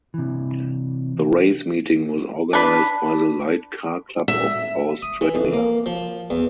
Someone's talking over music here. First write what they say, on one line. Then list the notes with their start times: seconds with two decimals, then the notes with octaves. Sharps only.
The race meeting was organised by the Light Car Club of Australia.
0.14 C3 E3
2.53 D4 B4
4.28 E5
5.02 D#6
5.21 E3
5.35 F2
5.53 A#3
5.86 F3
6.30 E2